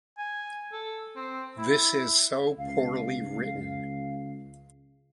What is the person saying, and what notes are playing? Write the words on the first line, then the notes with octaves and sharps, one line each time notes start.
This is so poorly written.
G#5
A4
C4
E4
C#2 F5